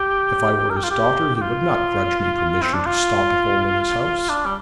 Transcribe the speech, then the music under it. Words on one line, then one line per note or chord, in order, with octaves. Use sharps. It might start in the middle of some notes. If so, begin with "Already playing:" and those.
If I were his daughter he would not grudge me permission to stop at home in his house.
Already playing: G4
A#4
G4
F4
G4
G4
F4
C4
D4
F4
D4
G3